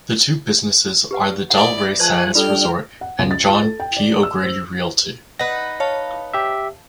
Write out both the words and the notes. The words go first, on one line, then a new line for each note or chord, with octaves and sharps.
The two businesses are The Delray Sands Resort and John P O'Grady Realty.
G4 B4 F#5
E4 D5 F#5 D#6
F3 A3 G#4 B4 C5 G#5 A5 F#6
G3 D4 F4 A4 G5 F6
F#5
C#2
A6
F4
A4
G5
D5
E6
C5
D#4 B4 F#5 A#6
C#5 F5 A5
G4 E5